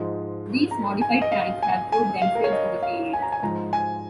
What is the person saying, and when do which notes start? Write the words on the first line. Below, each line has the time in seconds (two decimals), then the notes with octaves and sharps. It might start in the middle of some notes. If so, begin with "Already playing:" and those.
These "modified" tanks have proved themselves in the field.
Already playing: G#2 F3 G#3
0.71 A#5
1.01 G#5
1.22 D#5
1.32 F5
1.63 G#5
1.92 G#5
2.22 F5
2.35 A#4
2.44 C#5
2.53 D#5
2.83 F5
3.13 G#5
3.22 A#5
3.32 G#5
3.43 G#2 F3 G#3 A#5
3.73 G#5